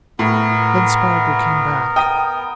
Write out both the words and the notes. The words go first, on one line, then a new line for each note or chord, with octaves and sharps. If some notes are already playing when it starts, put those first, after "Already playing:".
Then Spargo came back.
A2 B3 A#4
G5 D#6